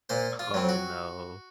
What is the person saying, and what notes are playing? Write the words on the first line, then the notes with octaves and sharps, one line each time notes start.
Oh, no.
A#2 C5
F4
F#3 C4
F#4